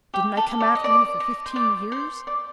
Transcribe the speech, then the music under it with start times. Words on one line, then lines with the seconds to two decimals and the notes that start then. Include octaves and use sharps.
Didn't I come after you for fifteen years?
0.14 G4
0.37 A4
0.60 D5
0.75 D#5
0.84 D5
1.20 D#5
1.46 C5
1.56 D5
1.92 C5
2.27 D5